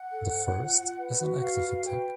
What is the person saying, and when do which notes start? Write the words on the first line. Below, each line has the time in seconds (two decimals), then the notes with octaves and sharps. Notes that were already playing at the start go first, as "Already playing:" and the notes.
The first is an active attack.
Already playing: F#5
0.12 A4
0.33 C5
0.55 F4
0.76 F4
0.98 B4
1.20 F#4
1.42 B4 F5
1.64 F#4
1.85 B4 G5